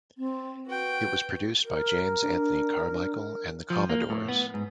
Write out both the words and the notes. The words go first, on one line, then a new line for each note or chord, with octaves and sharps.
It was produced by James Anthony Carmichael and the Commodores.
C4
F#4 B4 G5
A#4
D4
F3
A#3
A2
B3
G#2